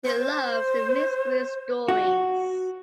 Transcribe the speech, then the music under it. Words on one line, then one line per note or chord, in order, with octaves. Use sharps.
He loves the mystery stories.
C5
F#4